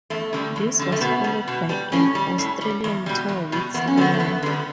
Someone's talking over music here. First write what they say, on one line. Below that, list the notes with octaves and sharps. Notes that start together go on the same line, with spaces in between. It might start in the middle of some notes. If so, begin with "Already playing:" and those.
This was followed by an Australian tour with Slayer.
E2 A3
D3 G3
E2
D3 G3
A3
B2 B3
G3
B2
G3
A2 C#4
G3
A2
G3
E2
B2 G3
E2
B2 G3
E2 B3
C#4
D3 G3 B3
A3
E2 B3
D3 G3